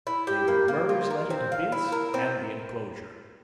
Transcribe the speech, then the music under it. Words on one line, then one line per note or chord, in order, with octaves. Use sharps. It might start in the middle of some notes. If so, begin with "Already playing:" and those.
They were Murray's letter to Bince and the enclosure.
E4
G4
A#3
A#3
F4
A#4
C4
F5
E4
A#4
C4